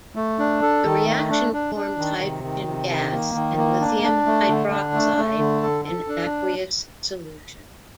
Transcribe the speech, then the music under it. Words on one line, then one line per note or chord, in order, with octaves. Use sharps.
The reaction forms hydrogen gas and lithium hydroxide in aqueous solution.
A3
D4
A4
D#3
A3
D4
D4
D4
D#3
C3
D#3
C3
D#3
A#3
D#3
A#3
D4
D4
A3
D3
D4
A3
A3
D3
A4
A4
D4